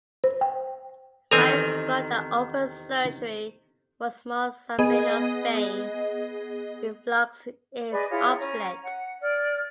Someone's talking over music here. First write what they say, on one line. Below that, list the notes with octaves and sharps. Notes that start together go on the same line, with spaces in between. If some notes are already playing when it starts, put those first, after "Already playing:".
Myers wrote that open surgery for small saphenous vein reflux is obsolete.
C5
G5
E2 C3 D#3 C4 A4 B4 G#5 A#5
B3 G#4 D#5
G#4 B4 D5 D#5
E4 F4 G#4 C#5
C#4 A#5
F#5
D5 F6